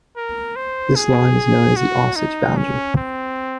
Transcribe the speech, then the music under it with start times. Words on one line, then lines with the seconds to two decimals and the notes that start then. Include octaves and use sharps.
This line is known as the Osage Boundary.
0.16 A#4
0.56 C5
0.96 G#4
1.76 F#4
2.16 D#4
2.57 C#4
2.96 C4